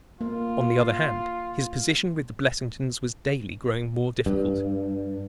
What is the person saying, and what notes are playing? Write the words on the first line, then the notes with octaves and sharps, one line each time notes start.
On the other hand, his position with the Blessingtons was daily growing more difficult.
A#3 F4
G2